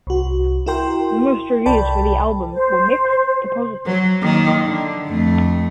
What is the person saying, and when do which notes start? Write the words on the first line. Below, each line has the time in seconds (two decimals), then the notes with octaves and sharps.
Most reviews for the album were mixed to positive.
0.07 C2 F#4
0.66 E4 F#4 A#4 G5 C6
1.66 C2 A4 D5 G5 A5 B5
2.53 C5
3.86 F#3
4.21 D#3 A#3
4.66 D3
5.07 F2 A3